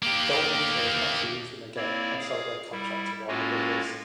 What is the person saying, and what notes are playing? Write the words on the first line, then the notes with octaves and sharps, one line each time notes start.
Goldwyn chose not to use them again and sold their contract to Warner Brothers.
A#3 G4
A#3 C4 E4 C#5 D5
G#4 F5
G3 E4
A2 G#3 A#3 C#4 F4 F#4